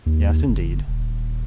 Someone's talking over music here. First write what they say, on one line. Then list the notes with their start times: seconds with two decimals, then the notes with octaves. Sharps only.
Yes, indeed!
0.06 D#2
0.48 F#1
0.87 D#1